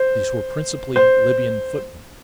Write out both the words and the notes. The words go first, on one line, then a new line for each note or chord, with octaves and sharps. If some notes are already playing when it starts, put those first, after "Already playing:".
These were principally Libyan footmen.
Already playing: C5
C5